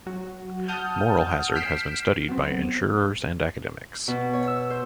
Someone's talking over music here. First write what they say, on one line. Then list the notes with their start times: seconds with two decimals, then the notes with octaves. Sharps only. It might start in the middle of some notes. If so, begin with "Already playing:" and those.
Moral hazard has been studied by insurers and academics.
0.06 F#3 F#4
0.68 F#5 A5 D#6 F6 G6
1.55 F6 G6 B6 C7 D7 E7
2.29 F#3 B3 C4
4.08 B2
4.33 C#5
4.47 E6
4.70 C5